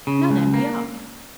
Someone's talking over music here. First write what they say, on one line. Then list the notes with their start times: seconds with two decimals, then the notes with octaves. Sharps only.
"Now, then, be off!"
0.07 C#3
0.30 C#2
0.54 A#3